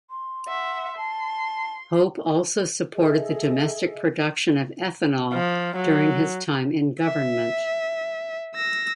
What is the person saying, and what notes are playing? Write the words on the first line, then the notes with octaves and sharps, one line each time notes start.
Hope also supported the domestic production of ethanol during his time in government.
C6
E5 F#5
A5 C6
G#4 A4 D#5 E5
F3
F#3
E5
E6 A#6